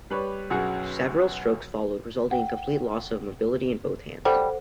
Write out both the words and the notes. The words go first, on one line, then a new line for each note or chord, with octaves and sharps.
Several strokes followed, resulting in complete loss of mobility in both hands.
G3 B4 C#5
B1 F#2 F#4 G#4 F#5
F#5 G5
G3 A4 C5 F#5